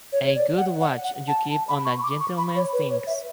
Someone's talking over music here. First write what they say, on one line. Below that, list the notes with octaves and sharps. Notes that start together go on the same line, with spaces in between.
A good watch you keep on a gentleman's things!
C#5
C#5
D5
F#5
F#5
F#5
A5
A5
B5
C#6
C#6
D6
C#6
B5
C#5
B4
C#5
E5